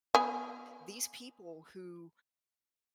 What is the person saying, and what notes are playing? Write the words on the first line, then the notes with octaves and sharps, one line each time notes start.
these people who
B3 G#5